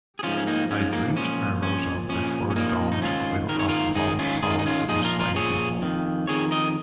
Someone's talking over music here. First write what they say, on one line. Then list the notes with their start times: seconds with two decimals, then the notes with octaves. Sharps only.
I dreamed I rose up before dawn to clear up Val-hall for slain people.
0.19 G#4
0.23 G#2 F3 C#4 F4
0.38 C#4
0.47 A#3 D#4
0.70 G#2 F3 C#4
0.93 A#3
1.16 A#2 F3 C#4
1.63 A#2 F3 C#4
2.09 A#2 F3 C#4
2.50 C#4
2.56 A#2 F3 A#3 D#4
2.92 D#4
3.02 G#2 D#3 C#4 F4
3.49 G#2 D#3 A#4
3.59 C#5
3.68 F4 A#4
3.95 G#2 D#3 D#4 G#4
4.19 C#4 F4
4.42 G#2 D#3 G#4
4.51 F4
4.59 D#4
4.66 C#4 F4
4.88 A#2 F3 D#4 G#4
5.05 F4 A#4
5.20 F4 A#4
5.35 A#2 F3 G#4 C#5
5.82 F2 D#3
6.27 F2 D#3 G#4 C#5
6.51 A#4 D#5